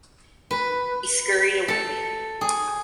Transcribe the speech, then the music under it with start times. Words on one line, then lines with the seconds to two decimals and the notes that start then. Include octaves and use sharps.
He scurried away.
0.51 B4
1.68 A4
2.41 G#4